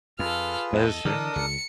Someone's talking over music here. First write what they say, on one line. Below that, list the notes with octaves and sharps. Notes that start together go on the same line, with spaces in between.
That is true.
F2 F4 G#4 A4 B4 F6
E2 A4 D#5
D3 E3 D4 A#4 D#6
C#2 C#7